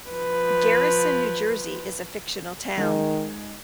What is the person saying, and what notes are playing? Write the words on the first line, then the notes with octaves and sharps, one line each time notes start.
Garrison, New Jersey, is a fictional town.
F3 B4
D#3 G#3 D#4